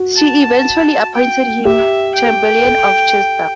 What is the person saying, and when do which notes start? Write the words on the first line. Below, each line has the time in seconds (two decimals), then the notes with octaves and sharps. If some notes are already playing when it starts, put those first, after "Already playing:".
She eventually appointed him Chamberlain of Chester.
Already playing: F#4
0.16 A5
1.15 G5
1.65 G4 E5
2.15 G5
2.64 A4